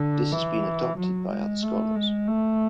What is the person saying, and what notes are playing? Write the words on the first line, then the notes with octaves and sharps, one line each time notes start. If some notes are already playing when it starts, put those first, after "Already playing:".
This has been adopted by other scholars.
Already playing: D3
E3
F#3
G#3
A3
G#3
A3